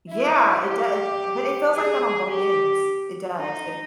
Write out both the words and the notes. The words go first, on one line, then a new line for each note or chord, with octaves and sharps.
Yeah, it do but it feels like that on both ends; it does if
E4
G4
G#4
G4
D#4